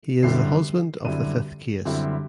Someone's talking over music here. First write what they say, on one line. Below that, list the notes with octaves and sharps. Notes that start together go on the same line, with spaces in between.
He is the husband of the fifth case.
F#2 D3 G3 C4 E4 C7
F#2 D3 G3 C4 E4 D#7
F#2 D3 G3 C4 E4